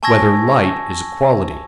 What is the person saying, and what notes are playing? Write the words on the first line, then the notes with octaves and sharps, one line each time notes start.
Whether Light Is a Quality?
G#5 A5 C#6 E6 G#6 A#6